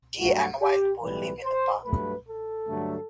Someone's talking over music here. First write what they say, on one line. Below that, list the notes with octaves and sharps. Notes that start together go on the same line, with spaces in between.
Deer and wild boar live in the park.
G2 F#3 A3 F#4
G4
B1 A2 E3 G3 B4
C5
G2 F#3 A3 B4
A4
G2 D3 F#3 A3